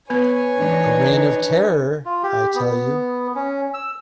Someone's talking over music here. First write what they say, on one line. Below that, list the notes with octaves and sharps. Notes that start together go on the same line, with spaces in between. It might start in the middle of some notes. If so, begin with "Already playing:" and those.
A reign of terror, I tell you.
B3 B4 C#5 G#5
E3 D4 D#4
F4
G4
B3
C#4
E6